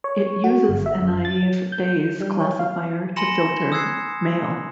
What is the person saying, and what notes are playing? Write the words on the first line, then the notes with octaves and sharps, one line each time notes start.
It uses a naive Bayes classifier to filter mail.
C#5
F#4
G1
E5
F#2
A6
F#3
G6
G3
C#5
F5
G#5 B5 C6 A#6 C#7 E7
D#6 E6 F#6 G#6 C7